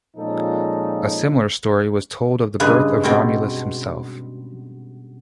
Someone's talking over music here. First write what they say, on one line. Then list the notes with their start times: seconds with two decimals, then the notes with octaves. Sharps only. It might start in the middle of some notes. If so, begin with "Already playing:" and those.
A similar story was told of the birth of Romulus himself.
0.16 A#2 F3 G#3 C#4 D#4 A4
2.60 G2 C#3 G#3 B4 G#5
3.03 B2 C4 C#4